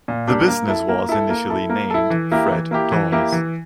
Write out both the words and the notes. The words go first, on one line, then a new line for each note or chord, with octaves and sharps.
The business was initially named Fred Dawes.
A#2
G3 A#3 D4 G4
A#3
E4 A4
A#3
E4 A4
A#3
E4 A4
A#3
E4 A4
E3
A#3 E4 G4
E3
A#3 E4 G4
E3
A#3 E4 G4
E3